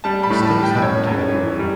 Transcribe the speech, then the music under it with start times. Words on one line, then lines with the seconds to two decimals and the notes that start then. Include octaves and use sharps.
Mistakes happen to everyone.
0.04 G3 A5
0.23 B5
0.30 A2
0.43 A5
0.56 G3
0.63 G5
0.82 F#2 C#5
1.07 F#2
1.34 E3
1.59 G3